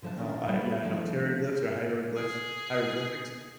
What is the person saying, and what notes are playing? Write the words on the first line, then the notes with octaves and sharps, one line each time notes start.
oh, I yeah, I know, teriglyphs or hieroglyphs, hieroglyphics?
D3 F3 C5 E5 A5
A#2 D#3 C#4 D4 F#4 A#4
G3 B3 A4 B4 C5 D5
D#3 F3 A3 D4
G#4